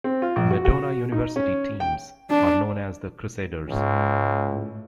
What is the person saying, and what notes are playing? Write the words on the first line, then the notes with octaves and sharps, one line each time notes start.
Madonna University teams are known as the Crusaders.
C4
F4
A#1
F#4
F#4
D#4
C#4
G5
D4
C#2 G#2
A2